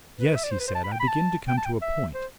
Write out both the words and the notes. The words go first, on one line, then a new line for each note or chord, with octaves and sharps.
'Yes,' he said, 'I begin to come to a point.
B4
E5
D5
C5
B4
C5
A5
B5
G5
B5
A5
G5
A5
G5
E5
C5